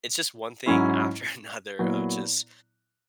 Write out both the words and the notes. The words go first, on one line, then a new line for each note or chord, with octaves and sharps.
it's just one thing after another of just
G#2 F#3 C#4 E4
A#2 F#3 B3 E4